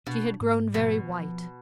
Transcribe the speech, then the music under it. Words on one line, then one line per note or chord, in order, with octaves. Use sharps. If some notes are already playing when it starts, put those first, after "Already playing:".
She had grown very white.
B2 D4
G#2
B2 F3
F3